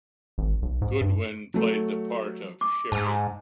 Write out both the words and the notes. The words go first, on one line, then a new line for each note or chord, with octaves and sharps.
Goodwin played the part of Cherie.
G#1
B1
G#2
G2
F#3 A3
D6
G#2 A5 E6